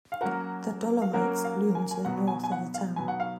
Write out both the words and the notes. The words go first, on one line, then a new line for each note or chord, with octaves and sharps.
The Dolomites loom to the north of the town.
F5
F#3 A#3 C#4 F#4 A#4 F#5
F5
F#3 A#3 C#4 F#4 A#4 F#5
F5
G#5
G#5
B2 F#3 B3 F#5
G#5
G#5
F#5
F5
B2 F#3 B3 G#5
F#5
F5